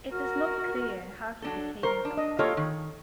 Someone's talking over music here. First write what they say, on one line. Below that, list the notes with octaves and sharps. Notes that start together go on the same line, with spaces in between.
It is not clear how he became a doctor.
F#4 A#4 F6
F#3 D4 A4
A#4 C5 C#6
D4
D#5
A#3 F4 G4 A4 C#5 D#5
D#3